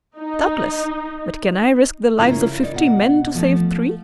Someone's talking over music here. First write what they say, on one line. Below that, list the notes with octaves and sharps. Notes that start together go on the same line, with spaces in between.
"Doubtless; but can I risk the lives of fifty men to save three?"
D#4
C#3 C#4 E4 F4 A#4
D#4 D5
B2 F#5
F3 A3